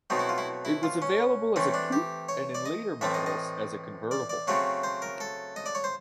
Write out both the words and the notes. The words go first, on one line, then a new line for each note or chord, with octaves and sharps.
It was available as a coupe and in later models as a convertible.
B2 F#3 A3 C4 D#4
E4
F4
E4
E4
F4
C#4
E3 A3 C4 C#4
D4
G4
C#5
D5
D#5
A2 E3 A3 C4 E5
D#5
D#5
D5
D5
C#3 F#3 A3 C4 C#5
C5
A#4
A4
D#5
D5
C#5
C5